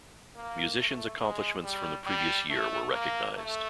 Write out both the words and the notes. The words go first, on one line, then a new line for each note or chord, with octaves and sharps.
Musicians accomplishments from the previous year were recognized.
A#3
A3
G#3
G3
G3
A3
A#3
A3